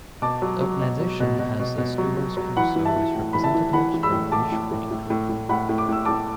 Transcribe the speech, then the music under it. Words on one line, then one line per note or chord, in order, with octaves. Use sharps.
The organization has a stewards' council with representatives from each working group.
B2 A5 D6
F#3
F#3
B2
F#3
B2
B2
B2
B2
F#3
F#3
F#3
E3 F#5 B5
E3
E5 A5
E3
A2
E3 B5
E5 A5
E3
E3 F#5 B5
E3
B5 E6
A2
A2 A5 D6
A2
A2
A2
A2
A2
A2 F#5 B5
A2
D6
A2 E6
A2 A5 D6